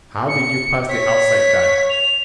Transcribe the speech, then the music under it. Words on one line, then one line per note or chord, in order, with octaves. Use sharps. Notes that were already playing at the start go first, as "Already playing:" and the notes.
"How did you pass the outside guard?"
C#7
C#5 B6
F7